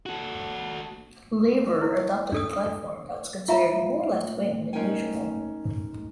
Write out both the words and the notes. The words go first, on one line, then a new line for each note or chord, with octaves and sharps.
Labour adopted a platform that was considered more left-wing than usual.
F#4 A4
E4
D4 A4 D#6
F4 E5 F5 A#5 B5
G#3 C#4 D#4 A#4 G5 G#5